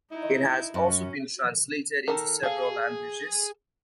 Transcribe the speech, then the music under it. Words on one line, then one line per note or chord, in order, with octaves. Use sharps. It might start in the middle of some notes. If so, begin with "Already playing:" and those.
It has also been translated into several languages.
D#4 E4
F#2 F#3 C#4
D#3 A4 A#4
G#4 A4 F5